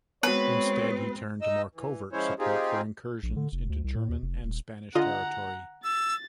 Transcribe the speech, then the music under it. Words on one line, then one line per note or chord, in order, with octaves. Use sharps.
Instead, he turned to more covert support for incursions into German and Spanish territory.
G#3 B3 C4 F#4 B4 C#5
D#4 D#5 E6
E3
F3 G#3 C#4 E4 C5 C#5
C4 D#4 F4 G4 G#4
A#1
D3
F1
D2
C2
A2
D#2
F1
D#1
D3 F4 D#5 F#5 A#5
E6 A6